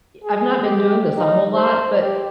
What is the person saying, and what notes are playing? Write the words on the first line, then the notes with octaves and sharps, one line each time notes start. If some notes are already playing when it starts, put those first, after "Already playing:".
I've not been doing this a whole lot, but
G#4
G4
D#4
C5
G4